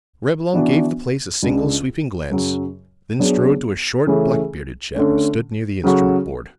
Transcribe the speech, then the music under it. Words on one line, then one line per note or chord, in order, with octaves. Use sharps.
Reblong gave the place a single sweeping glance, then strode to a short, black-bearded chap who stood near the instrument board.
E3 B3 D4 F#4
C#2 C#3 G#3 D4
F#2 C#3 F#3
F#3 B3 D4 G#4 C#5
C#3 E3 A3 C#4 G#4
D3 A3 C#4
C#3 F#3 C#4 F#4 A4